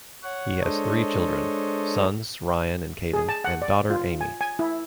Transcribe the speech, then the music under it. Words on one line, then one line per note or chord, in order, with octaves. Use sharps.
He has three children: sons Ryan and Caden, and daughter Aimee.
C#5 F#5
G#3 D4 A4 C5 C#5 D#5
G#4
A5
F#5
D5
F4
G#5
G#5
E4